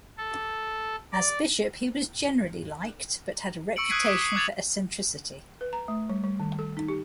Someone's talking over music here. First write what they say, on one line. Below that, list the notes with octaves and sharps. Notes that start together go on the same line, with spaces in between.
As bishop he was generally liked, but had a reputation for eccentricity.
A4
D5
C#6 E6 C#7 D7 F#7
D#6 F#6 G#6 B6 C7 D#7
D6 D#6 B6
C7
D6 F#6 G#6 A6 F7 F#7
B4
A#5
A3
G3
G3
D#3
A4
D#4
G4